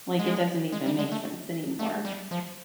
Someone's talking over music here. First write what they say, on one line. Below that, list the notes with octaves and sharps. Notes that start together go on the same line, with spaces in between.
Like, it doesn't even make sense anymore."
G#3
G#3
G3
G#3
A3
A3
G3
F3